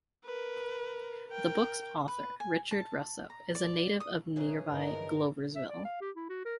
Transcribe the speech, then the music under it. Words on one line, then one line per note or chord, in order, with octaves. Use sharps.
The book's author, Richard Russo, is a native of nearby Gloversville.
A#4 B4
A#4 G5
B4
G#5
A5
A#5
D5
D#6
C#3 E3 G#4 E5 A#5
G2 D3 D#4 A#4 D#5
E5
D5
F5
G4
E4
F#4
A#4